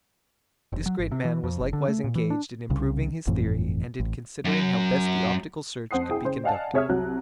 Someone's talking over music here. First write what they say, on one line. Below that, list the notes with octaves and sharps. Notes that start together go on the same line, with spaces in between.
This great man was likewise engaged in improving his theory and in considering how best the optical search could be conducted.
F1
F#3
G#1
C3
E3
F2
F#1
D3
A3
A#2
E3
D4
C2 C#3
G1 F2 A2 E3
A1
F#2 F#3
F2 C5 F#5 D#6 C7
E4 G#4 G5 D#6
C#3 C5
D5 D#5 F5 F#5 G#5 A5
C3 G#4 C#5 E5 D#6 F6
C2 F#3 F#6